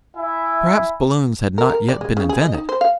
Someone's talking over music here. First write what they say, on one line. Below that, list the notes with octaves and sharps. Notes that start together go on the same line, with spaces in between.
Perhaps balloons had not yet been invented.
E4 E5 G#5
A#4
A#4
D5
G#3
C#3
G#4
D#5
D#4
C5
F5